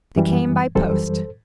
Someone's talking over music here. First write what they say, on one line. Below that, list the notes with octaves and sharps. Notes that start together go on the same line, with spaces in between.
"They came by post."
F#2 E3 G3
F#2 E3 G3 A4 C5